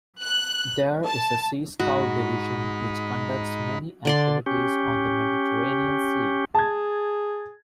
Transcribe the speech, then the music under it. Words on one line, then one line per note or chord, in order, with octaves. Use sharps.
There is a Sea Scout division which conducts many activities on the Mediterranean Sea.
F#6
A5
G#2 D#4 F#4 B5
D3 D5 C6
C#4 G4
G#4 A5 G#6